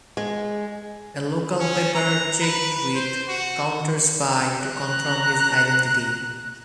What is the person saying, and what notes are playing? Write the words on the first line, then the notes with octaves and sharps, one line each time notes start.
A local paper checked with "CounterSpy" to confirm his identity.
G#3
C#4
A#5
B4
C5
F#4
A#5 F#6